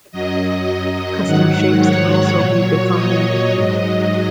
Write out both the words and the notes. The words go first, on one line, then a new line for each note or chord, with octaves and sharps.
Custom shapes can also be defined.
F#2 F#3 D#5
G#2 D#3 F#3 F#5
C#5
A#2 F#3
D#5
G#2 F#3